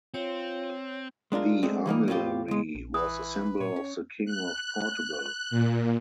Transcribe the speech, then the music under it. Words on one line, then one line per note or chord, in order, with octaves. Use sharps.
The armillary was a symbol of the king of Portugal.
C4 F4 C#5
G#3 D4 F4 A#4
G#3 A3 C4 D4
E3 G3 A#3 D#4
A2 C4 D#4 F4 G4
C#2 G#3
A#1
E3 B4 D#6
A#2 C#5
C#4
F#6
A#2